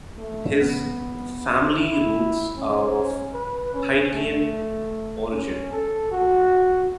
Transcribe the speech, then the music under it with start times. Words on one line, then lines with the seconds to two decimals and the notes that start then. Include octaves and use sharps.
His family roots are of Haitian origin.
0.18 A3
0.59 B3
1.77 E4
2.56 C#4
3.34 B4
3.74 C#4
4.14 A3
5.32 C#4
5.72 A4
6.12 F#4